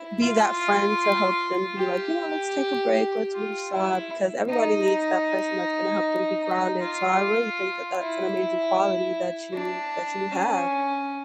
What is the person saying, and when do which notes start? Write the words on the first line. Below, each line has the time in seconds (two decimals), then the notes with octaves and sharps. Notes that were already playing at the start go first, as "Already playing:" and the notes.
eh, be that friend to help them be like, "You know, let's take a break, let's move aside," because everybody needs that person that's gonna help them be grounded, so I really think that that's an amazing quality that you that you have.
Already playing: E4
0.22 F4
1.78 G4
3.33 F4
3.72 E4
4.49 D#4
4.87 D#4
6.44 D#4
6.82 F4
7.99 E4
9.53 D4
10.32 C#4